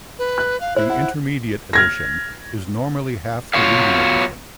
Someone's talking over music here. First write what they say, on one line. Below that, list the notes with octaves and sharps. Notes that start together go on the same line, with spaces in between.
The intermediate addition is normally half the reading addition.
B4
F#6
F5
E4 C5
F#5
F6 G#6 A#6
F#3 B3 F4 C#5 D#5 F5